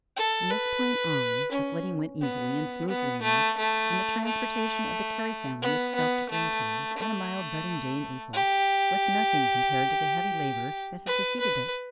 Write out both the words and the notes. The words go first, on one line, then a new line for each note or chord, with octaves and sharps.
From this point on, the flitting went easily and smoothly enough, and the transportation of the Carey family itself to Greentown, on a mild budding day in April, was nothing compared to the heavy labor that had preceded it.
A4
B4
C#4
B3
B3
A3
A3
A3
B3
B3
A3
A3
G4
B4
B4